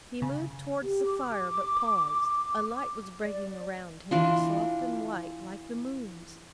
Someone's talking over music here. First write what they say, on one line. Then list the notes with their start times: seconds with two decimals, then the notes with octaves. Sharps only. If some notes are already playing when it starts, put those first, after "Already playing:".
He moved towards the fire, but paused; a light was breaking around him, soft and white, like the moon's.
0.22 C#3
0.83 G4
1.06 D6
3.21 D5
4.11 E3 D4 F4